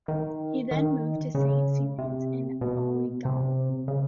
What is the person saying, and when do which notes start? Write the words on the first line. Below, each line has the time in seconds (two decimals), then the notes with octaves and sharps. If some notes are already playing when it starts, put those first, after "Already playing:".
He then moved to Saint Ciaran's in Ballygawley.
0.08 D#3
0.71 D#3
1.35 C#3
1.98 C3
2.61 B2
3.25 C3
3.88 C#3